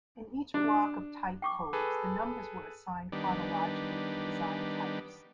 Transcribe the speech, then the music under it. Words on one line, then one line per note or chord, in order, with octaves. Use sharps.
In each block of type codes, the numbers were assigned chronologically for designed types.
D4
G5 C#6 D6
G#4 A4 B4
D#3 G3 B3 D4